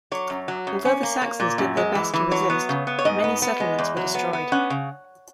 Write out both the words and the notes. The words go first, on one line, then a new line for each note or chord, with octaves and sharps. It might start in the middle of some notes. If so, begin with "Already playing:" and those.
Although the Saxons did their best to resist, many settlements were destroyed.
F#3 C#5
F#2
F#3
F#2
C#4
A#3
A#3
A#2
F#2
G#3
E3
E3
F#3 C#5
B3
C#3
B3
C#5
G#2 D#5
B3
B3
G#3
E2
F#3
B3
B3
C#4 F#5
C#3